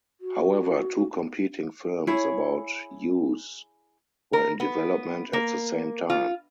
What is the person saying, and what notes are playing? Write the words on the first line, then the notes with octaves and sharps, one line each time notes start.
However, two competing films about Hughes were in development at the same time.
F#4
E4 G#4 C#5
A#4
B3
A#3
F4